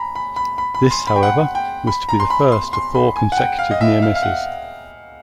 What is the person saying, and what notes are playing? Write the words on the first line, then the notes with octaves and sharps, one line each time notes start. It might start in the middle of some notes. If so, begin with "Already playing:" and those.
This, however, was to be the first of four consecutive near-misses.
Already playing: A#5 B5
B5
B5
B5
B5
C6
B5
G5
F#5
G5
B5
A#5
C6
B5
C6
C6
B5
G#5
F#5
G5
F5
D#5
E5
F5
F5
F#5